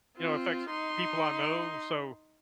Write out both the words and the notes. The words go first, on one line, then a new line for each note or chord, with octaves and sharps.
you know, it affects people I know. So,
C4 F4
D#4 C6